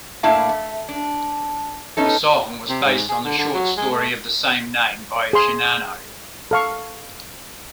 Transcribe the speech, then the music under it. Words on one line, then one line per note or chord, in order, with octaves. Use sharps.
The song was based on the short story of the same name by Shinano.
A2 A#3 D4 E4 F5 A5
A3
D4
B3 C#4 D#4 A4
C3
G#2
G#4
D3
D3
F#3
G#3
A3
G#4 C6
A4 F5 C#6